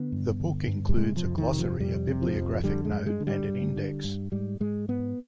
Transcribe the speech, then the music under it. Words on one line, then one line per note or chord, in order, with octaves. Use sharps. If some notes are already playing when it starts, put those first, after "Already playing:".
The book includes a glossary, a bibliographic note, and an index.
Already playing: D3 B3
G2
D3
G2
G3
C3 G#3
F3
F2
D#3
C3
F3
F2 G3
C3
F3
F2
D3 G3
G#3
G2
G#3
D3
G3
G2
D3
G2
G#2 G3
G#2 G#3
G#2 B3